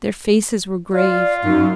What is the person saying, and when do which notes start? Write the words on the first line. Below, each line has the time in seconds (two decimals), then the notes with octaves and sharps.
Their faces were grave.
0.92 F4 D5
1.44 F#2 D#4